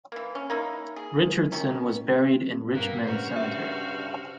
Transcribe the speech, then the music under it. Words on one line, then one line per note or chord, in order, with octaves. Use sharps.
Richardson was buried in Richmond Cemetery.
E3 A#3
C#4
A#3 D#4 E4
G#4
D#3 C#4
G2 B2 A#3 B4
G2 C#3 F#4 C5 F6
E5